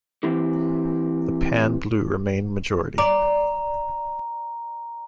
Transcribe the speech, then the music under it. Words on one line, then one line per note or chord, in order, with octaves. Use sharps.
The pan-blue remained majority.
E3 C4 E4 G4
D5 A#5